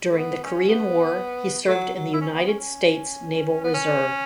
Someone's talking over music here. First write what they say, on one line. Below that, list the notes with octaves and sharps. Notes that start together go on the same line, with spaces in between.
During the Korean War, he served in the United States Naval Reserve.
A3
B3
C#4
B3
A3
F#3
F#3
E4
C#4
B3
C#4
C#4
B3
C#4